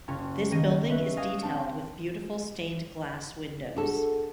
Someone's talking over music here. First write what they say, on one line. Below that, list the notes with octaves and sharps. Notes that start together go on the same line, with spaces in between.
This building is detailed with beautiful stained glass windows.
F#1 C#4 F4 C#6
D#3 A#3 C#4 A#6 D#7
B4 E5 C#6
F5 G#5 D#6 A#6 D#7
C4 D4 A5
D4 F#4 G#4 A4